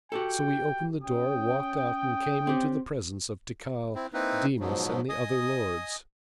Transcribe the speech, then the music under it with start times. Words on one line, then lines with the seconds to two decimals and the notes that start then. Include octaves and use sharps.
So we opened the door, walked out, and came into the presence of Tikal, Dimas, and the other lords.
0.12 F#4 G4 A4 G5
1.03 C#4 G5 D#6
2.47 C4 G4
3.95 C4 E4
4.13 A#3 C4 D#4 E4 B4
4.60 G#2 B2 F3 F#3
5.09 D#5 G#5 D#6